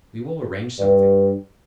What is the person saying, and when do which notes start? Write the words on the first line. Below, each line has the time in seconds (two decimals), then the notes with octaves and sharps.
We will arrange something.
0.79 G2